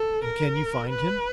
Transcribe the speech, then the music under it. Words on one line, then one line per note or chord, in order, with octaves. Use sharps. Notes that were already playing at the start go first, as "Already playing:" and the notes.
"And can you find him?"
Already playing: A4
A#4
B4